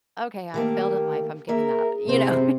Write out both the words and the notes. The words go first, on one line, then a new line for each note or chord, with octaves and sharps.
"Okay, I failed at life, I'm giving up," you know
D#3 A3 A#3 G4 A#4
A#3 G#4 A#4 E5
C3 C4 E4 C5